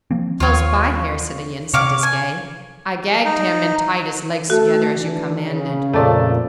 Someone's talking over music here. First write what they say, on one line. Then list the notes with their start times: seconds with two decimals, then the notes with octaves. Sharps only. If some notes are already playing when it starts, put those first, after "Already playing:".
"Close by here, citoyen," said Desgas; "I gagged him and tied his legs together as you commanded."
0.11 F3 A#3 C4
0.40 D#2 F4 C#5
1.73 C3 C#5 F5 D6
2.03 G#5
3.25 D#4
4.50 A3 F#4 A4
4.96 E3 D4
5.46 C#3
5.93 F2 A#2 A3 D5